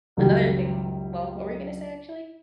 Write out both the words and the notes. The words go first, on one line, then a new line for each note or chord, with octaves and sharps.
Another thing well, what were you gonna say, actually?
C#2 F#2 D#3 F#3 G3